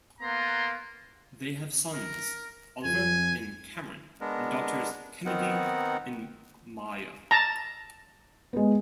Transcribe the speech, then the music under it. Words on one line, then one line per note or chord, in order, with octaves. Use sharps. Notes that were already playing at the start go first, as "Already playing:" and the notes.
They have sons - Oliver and Cameron, and daughters Kennedy and Maya.
A#3 B3 A#5 C6
A#4
F2 G#5
G#3 B3 D4 A#4
D#3 B3 C4 D#4 A#4 F#5
A5 A#5
G#3 B3